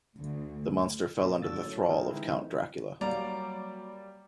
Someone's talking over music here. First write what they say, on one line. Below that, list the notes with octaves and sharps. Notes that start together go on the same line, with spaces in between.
The monster fell under the thrall of Count Dracula.
D2
F2 A#2 A#3
F#2 D3 D4 F#4 E6 A6
A2 C#5
C4 D#4 F4 G#4 A#4
D3 E3 G#3 C4 D#4 E4
F#3 G3 A#3 D5 A#5